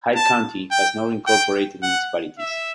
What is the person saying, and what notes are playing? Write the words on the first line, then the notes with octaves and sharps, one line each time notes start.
Hyde County has no incorporated municipalities.
A5
G5
G5
F#5
E5